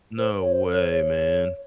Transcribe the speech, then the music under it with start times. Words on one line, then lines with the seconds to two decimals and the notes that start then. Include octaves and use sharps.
No way, man.
0.17 C5
0.40 C#5
0.51 C5
0.72 C#5
0.80 C5
0.88 C#5